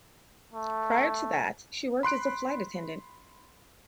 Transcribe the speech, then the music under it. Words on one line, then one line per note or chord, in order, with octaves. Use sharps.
Prior to that, she worked as a flight attendant.
A3
B5 C6 F#6 D7